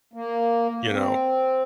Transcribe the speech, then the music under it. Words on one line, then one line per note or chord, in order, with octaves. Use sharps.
you know,
A#3
C4